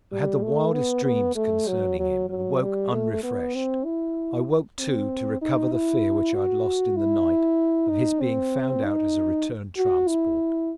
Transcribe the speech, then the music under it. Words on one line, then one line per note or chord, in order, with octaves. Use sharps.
I had the wildest dreams concerning him, and woke unrefreshed; I woke, too, to recover the fear which I had lost in the night, of his being found out as a returned transport.
G3
A3
B3
B3
A3
F#3
F#3
F#3
G3
A3
B3
C4
E4
C4
D#4
E4
F#4
E4
D#4
C4
D#4
F#4
E4